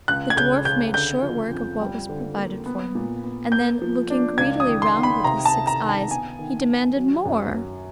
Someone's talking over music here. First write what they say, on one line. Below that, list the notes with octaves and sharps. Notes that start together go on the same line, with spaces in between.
The dwarf made short work of what was provided for him, and then, looking greedily round with his six eyes, he demanded more.
C#2 F#6
G#6
C#3 G6
C#3 G6
D3 G6
F3
F2
G3
D3
A#3
B3
A#2
B3
A#3 G6
F3
D4
C#2 G#6
D#6
D#3
C6
D#3
B5
C3 A#5
A5
C3
A#5
D#3
A5
B3 G#5
D#3
D#3
F#3
F#2
F#3